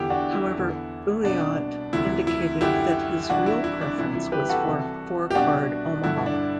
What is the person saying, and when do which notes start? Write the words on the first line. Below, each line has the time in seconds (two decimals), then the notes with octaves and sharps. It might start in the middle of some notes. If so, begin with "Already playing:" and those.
However, Ulliott indicated that his real preference was for four card Omaha.
Already playing: E2 D3 E4 G4
0.10 D4 F#4
0.33 E4
0.56 E2 D3
1.24 C2 B2 D4
1.93 D2 C3 E3 E4
2.27 E4
2.61 F#2 D3 E4 G4
3.29 C2 C3 E3 D4 F#4
3.46 E4
3.64 E4
3.81 D4
3.98 C2 C3 E3 E4
4.15 E4
4.32 G4 B4
4.49 F#4 A4
4.67 C2 C3 E3
5.31 G4
5.35 C2 B2 D4 F#4
6.04 G2 D3 E4
6.26 D4